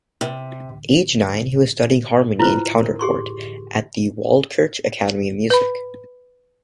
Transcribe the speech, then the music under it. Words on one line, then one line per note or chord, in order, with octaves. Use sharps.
Aged nine, he was studying harmony and counterpoint at the Waldkirch academy of music.
C3
E4 F4 B4 C5
A#4
G4 G#4 C6 C#6
B4 B5